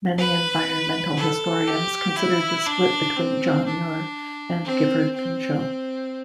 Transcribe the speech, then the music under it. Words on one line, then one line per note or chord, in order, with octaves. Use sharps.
Many environmental historians consider the split between John Muir and Gifford Pinchot.
B4
A4
G4
E4
D4
C4
D4
C4
C4